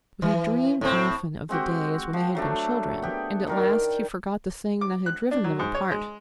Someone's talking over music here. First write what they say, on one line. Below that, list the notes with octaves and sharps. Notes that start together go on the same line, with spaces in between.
But he dreamed often of the days when they had been children and at last he forgot the thing that had driven them apart.
E3
A2 C4
G#3 C4 F#4 G4
F3
F#3 A3 D4
B3 G4
D#3 A#4 D5
D6
F#6
D4
F#3
G#2
C#5
G#3